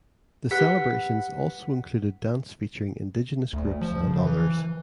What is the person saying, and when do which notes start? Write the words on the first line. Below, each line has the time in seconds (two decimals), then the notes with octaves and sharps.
The celebrations also included dance featuring indigenous groups and others.
0.51 G4 B4 F#5 B6
3.53 D2
3.81 F3
4.07 C#3
4.24 E3